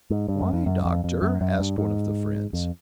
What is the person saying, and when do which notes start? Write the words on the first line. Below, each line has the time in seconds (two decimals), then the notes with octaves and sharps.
"Why, doctor?" asked one of the friends.
0.10 G#2
0.28 G2
0.41 F#2
0.53 F2
0.66 F#2
0.85 F2
1.04 F2
1.22 F#2
1.41 F#2
1.60 G2
1.78 G#2
2.53 F2